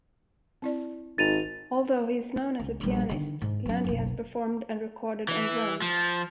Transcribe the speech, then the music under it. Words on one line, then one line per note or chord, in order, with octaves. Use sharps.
Although he is known as a pianist, Lande has performed and recorded on drums.
C4 E4 D5
G#1 A6 D#7 F7
C#2
A#1 G3
D3 D#3
G#2
F#3 C#4
F#1 B1
E3
F3